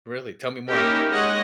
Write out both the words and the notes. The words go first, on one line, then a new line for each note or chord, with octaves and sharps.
Really? Tell me more.
A#3 C#4 D#4 E4 G4 A#4
G#3 C#5 D#5 F#5